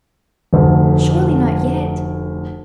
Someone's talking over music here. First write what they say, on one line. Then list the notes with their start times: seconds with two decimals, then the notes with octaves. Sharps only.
Surely not yet!
0.53 F1 D2